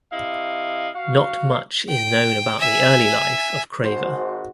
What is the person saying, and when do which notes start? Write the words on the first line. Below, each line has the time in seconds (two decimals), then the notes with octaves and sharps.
Not much is known about the early life of Craver.
0.12 C3 E4 D#5 F5
0.95 F#4 F5
1.89 G5
2.60 E5 G#5
3.84 G#1 G#2 F#4 C5